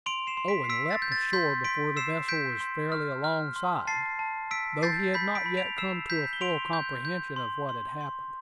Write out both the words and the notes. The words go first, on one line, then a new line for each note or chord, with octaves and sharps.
Owen leaped ashore before the vessel was fairly alongside, though he had not yet come to a full comprehension of what had happened.
C6 D7 F7
C7 E7
C6
B6 D7
C7
E6 B6 D7
A6 C7
G6
A6
C6 G6 B6
C6 B6 D7
E6 C7 E7
G6 B6 D7
C6
F6
F6
C6
A5 A6 C7
A5
E6 B6 D7
G6 A6 C7
B5 G6 B6
B6 D7
B5
D7 F7
E6 C7 E7
G6 B6
G7
C6 D7 F7
G6
G6
C6
C6
C6